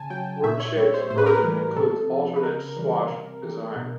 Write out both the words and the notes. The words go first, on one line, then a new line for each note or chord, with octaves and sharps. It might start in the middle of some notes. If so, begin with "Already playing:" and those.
Wordshape's version includes alternate swash designs.
Already playing: C#3 G#5 A5
F#3 G5
A#2 E5
C#5
G3 C#5
C5
A2 C5
B4
A#4
B4
E3 G3
C3 A4
F3
B4
C#3 A#4
E3 G3
C3
E3 G3
B2